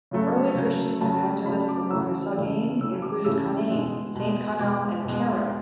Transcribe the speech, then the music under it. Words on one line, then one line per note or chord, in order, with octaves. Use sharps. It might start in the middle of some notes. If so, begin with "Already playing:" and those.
Early Christian evangelists among the Soghain included Conainne, Saint Connell and Kerrill.
C#3 F#3 A3
C#3 F#3 A3
C#3 F#3 A3 A5
C#3 F#3 A3 B5
D6
C#3 E3 A3 E6
C#3 E3 A3
C#3 E3 A3 E6
D6
C#3 E3 A3 E6
B2 G#3
B2 G#3
B2 G#3 D6
B2 G#3